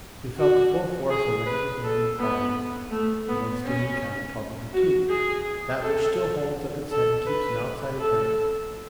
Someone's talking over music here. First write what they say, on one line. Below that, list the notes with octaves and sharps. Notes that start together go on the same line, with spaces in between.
We felt the full force of the heavy hand of poverty--the most stinging kind of poverty too, that which still holds up its head and keeps an outside appearance.
F#4
G#4
B4
A4
B3
A3
B3
C#4
F#4
G#4
A4
A4
B4
A4